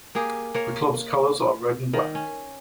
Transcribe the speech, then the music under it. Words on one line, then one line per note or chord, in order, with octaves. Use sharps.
The club's colors are red and black.
A#3 G4 G#4
A#3 C#5
D#3
C#4